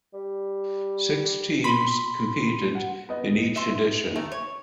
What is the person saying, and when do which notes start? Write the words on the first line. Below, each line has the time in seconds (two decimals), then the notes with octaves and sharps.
Six teams competed in each edition.
0.14 G3
1.64 B5 C6 G7
2.75 F#5
3.09 B3 D#5
3.56 E5 C6
4.15 C#3 A3 A#4
4.32 C#5